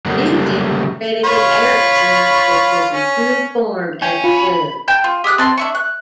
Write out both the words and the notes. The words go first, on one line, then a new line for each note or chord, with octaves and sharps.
Nugent credited Eriksson for his improved form at the club.
C#3 F#3 G3 A3 A#3 F#4
F4 C#5 B5
C#4
C#4 G5 G#5
F4 B5
G5 A5 G6
F4
G4 D#6 F6 F#6
C4 A5 C6
D4 E5 C#6
F#6